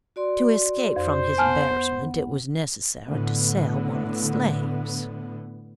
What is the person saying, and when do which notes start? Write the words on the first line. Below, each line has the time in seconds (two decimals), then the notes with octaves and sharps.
To escape from his embarrassment it was necessary to sell one of the slaves.
0.16 F#4 D5 C6
0.96 F2 C5
1.38 B3 F#5 G#5 A5 F6
3.08 A2 D3 B3